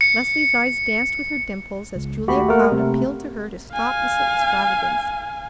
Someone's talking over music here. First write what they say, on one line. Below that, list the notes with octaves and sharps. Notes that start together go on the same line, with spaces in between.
Leslie's eyes danced with her dimples as Julia Cloud appealed to her to stop this extravagance.
C#7
C#2
D#2 A3 F#4 G4 A4 B5
A3 A#3 A#4 F#5
C3 A3 A#3
F5 G#5